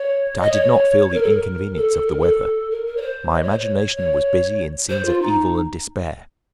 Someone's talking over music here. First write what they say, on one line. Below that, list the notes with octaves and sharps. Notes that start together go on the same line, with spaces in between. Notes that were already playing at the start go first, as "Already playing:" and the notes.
But I did not feel the inconvenience of the weather; my imagination was busy in scenes of evil and despair.
Already playing: C#5
D#5
C#5
A#4
A4
A#4
A4
A4
A#4
A4
A#4
A#4
C#5
C5
D#5
C#5
C5
C#5
C#5
C5
F4
D#4